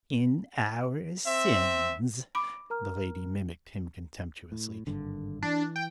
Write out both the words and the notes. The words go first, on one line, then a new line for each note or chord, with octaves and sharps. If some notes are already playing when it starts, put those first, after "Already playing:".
"In our sins," the lady mimicked him contemptuously.
C4 E5
B5 D6 D7
A#4 A#5 F6
A2
G#1 G2 D3
E3 D4
G5